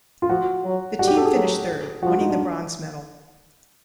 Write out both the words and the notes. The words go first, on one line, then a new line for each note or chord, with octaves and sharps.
The team finished third, winning the bronze medal.
F4
F3 F#4
F#3
G3 F#4
G4
A4
G#4
F#3
F3 F#4
F4
D#4
D4